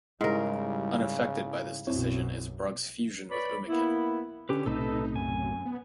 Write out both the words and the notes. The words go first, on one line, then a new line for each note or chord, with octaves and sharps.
Unaffected by this decision is Brugg's fusion with Umiken.
G#2 C#3 G3 E4 A#4
B1 F#2 C4 E4 C#5
B4 C#5 D5 B5
A#3 B3 E4
D3 C#4 G4 B4
B1 A2 C3 D#4 A4 B4 E5
F#2 G#5
B3